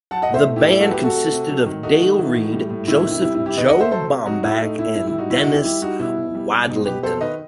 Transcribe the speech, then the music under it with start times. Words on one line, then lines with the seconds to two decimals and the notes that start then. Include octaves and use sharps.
The band consisted of Dale Reed, Joseph "Joe" Bomback and Dennis Wadlington.
0.11 F#3 F#5 A5
0.22 D#5 F#5
0.29 A2
0.34 C5 E5
0.45 A3
0.56 E4 G4
0.63 A2
0.68 E4 G4
0.80 F#3 F#4 A4
0.91 G4 B4
0.97 C3
1.03 F#4 A4
1.15 A3
1.32 C3
1.49 F#3
1.66 D#3
1.83 A3 D#4 F#4
2.01 D#3
2.19 E3
2.36 A2
2.53 G3
2.70 A2
2.88 D#3 E4
3.00 E4
3.05 C3
3.11 E4
3.22 G3 E4
3.35 E4
3.40 C3
3.46 E4 G4
3.57 D#3 B4 D#5
3.69 D#5 F#5
3.74 A3
3.80 C5 E5
3.91 F#3 A4 C5
4.09 C3
4.26 F#3 D#4 F#4
4.43 A2 E4
4.61 A3 D#4
4.78 A2 E4
4.95 G3 E4
5.07 E4
5.13 G3
5.18 D#4 F#4
5.30 D#3 E4
5.41 D#4 F#4
5.47 D#3
5.54 E4 G4
5.64 G3 E4 G4
5.82 G3 D#4 F#4
5.99 B2 E4
6.17 B2
6.35 G3
6.52 G3
6.69 B2 D#4
6.86 B2 G4 B4
7.03 F#3 A4 C5
7.20 D#3 B4 D#5